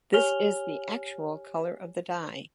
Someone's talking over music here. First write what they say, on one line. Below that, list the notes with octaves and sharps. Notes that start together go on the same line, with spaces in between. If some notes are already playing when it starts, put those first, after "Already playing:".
This is the actual color of the dye.
G4 C#5 G#5 F6 F7 G7